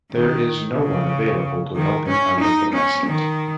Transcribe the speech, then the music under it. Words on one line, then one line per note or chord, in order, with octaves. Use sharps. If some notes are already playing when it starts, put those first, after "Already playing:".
There is no one available to help him out of the basket.
D#3
C#3
D#3
C#4
D#4
C#4
D#3